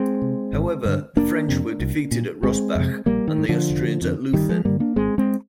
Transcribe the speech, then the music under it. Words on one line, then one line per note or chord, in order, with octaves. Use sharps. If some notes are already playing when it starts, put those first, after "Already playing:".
However, the French were defeated at Rossbach and the Austrians at Leuthen.
Already playing: G#3 C4
C3
G#1
G2 D3
F1 A#3 D4
F2 C3
C2
A#2
G1 G#3 C4
F2 C3
A#1 G3 A#3
D#3
G#2
D3 F3
F1
F2 D3
G1 D#3 G3
F3 G#3
G2 D3 G3 A#3
A#3 D4
G#1 G#3 C4
G#3 C4